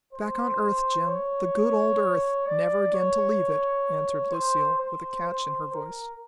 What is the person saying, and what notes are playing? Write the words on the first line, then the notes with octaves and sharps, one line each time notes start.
"Back on earth, Jim, the good old earth, never again to leave it," answered Lucille, with a catch in her voice.
C5
C#5
D5
C#5
C5
C5
C5
A#4